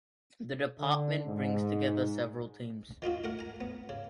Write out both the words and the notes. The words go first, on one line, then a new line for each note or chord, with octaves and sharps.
The department brings together several teams.
D3
G#2
D#3 D#4 F4 F#4
A3 A#4 F#5
G#5 A#5
B3
C#3